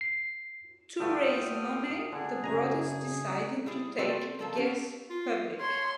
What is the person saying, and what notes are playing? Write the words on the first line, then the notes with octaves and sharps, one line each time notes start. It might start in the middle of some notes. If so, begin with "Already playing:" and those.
To raise money, the brothers decided to take Guess public.
C7
G2 D3 A3 F4 G5 D#6 F6
D3 G#4
F#2 C#3 A3 D4 G#5 A#5
G3 E4 G#4
F4 F#4 A4 B4 D5 G5
C4
F3 A4 A#4
B3 C#4 G4
F4
C#5 C6